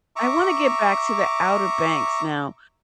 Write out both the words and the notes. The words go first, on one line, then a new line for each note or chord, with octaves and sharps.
I wanna get back to the Outer Banks now,
E5 A#5 C#6 D6